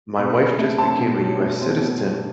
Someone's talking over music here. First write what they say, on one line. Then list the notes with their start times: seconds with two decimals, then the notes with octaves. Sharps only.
My wife just became a US citizen,
0.17 B2 B5
0.38 F#3
0.59 A3
0.78 C4 A5
0.99 B2
1.20 F#3
1.40 A3
1.61 C4
1.81 B2
2.02 F#3